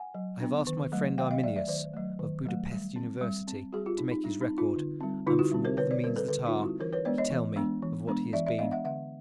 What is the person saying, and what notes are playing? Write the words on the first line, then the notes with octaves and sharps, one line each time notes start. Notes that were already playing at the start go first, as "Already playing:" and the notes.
I have asked my friend Arminius, of Buda-Pesth University, to make his record; and, from all the means that are, he tell me of what he has been.
Already playing: F#5 G#5
F#3
B3 D4
D#3
F#3 A3
D#3 F5 G5
D#5 F5
F#3 A3 D5 E5
D5 E5
D#3 C5 D5
F#3 A3
D#3
F#3 A3
G3
C4
G3
C4
G3 F#4 G#4
F4 G4
C4 D#4
D#4
G3 D4
D#4
C4
D#4 F4
D3
G3 C4
D3 D#4 F4
E4 F#4
G3 C4
A#4 C5
D3 B4 C#5
C5 D5
G3 C4 A#4 C5
A4 B4
D3 A4 B4
D#4 F4
G3 C4
E4 F#4
E3 A#4 C5
B4 C#5
G#3 B3 D4 C5 D5
C#5 D#5
E3
G#3 B3 D4
E3
G#3 B3 D4
E3 D5 E5
D5 E5
G#3 B3 D4 D#5 F5
E5 F#5
D3 E5 F#5